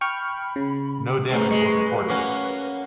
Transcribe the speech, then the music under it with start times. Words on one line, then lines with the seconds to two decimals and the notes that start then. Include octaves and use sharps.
No damage was reported.
0.01 G5 B5 C#6 F6
0.56 C#3
1.30 A3 C4 C#4 G#4 B4 A#5
1.51 G#3 C#6
2.08 A#3 C#4 F#4 F#5